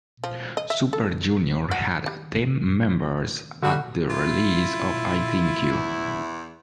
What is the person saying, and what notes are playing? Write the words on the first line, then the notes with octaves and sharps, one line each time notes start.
Super Junior had ten members at the release of "I Think U".
F3
D#5
E5
A4
F#4
G3
D3 G3 F#4
E4 F4
E2